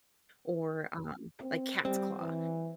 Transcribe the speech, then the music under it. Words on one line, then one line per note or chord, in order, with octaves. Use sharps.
or, um, like, cat's claw,
C4
G3 C4
E3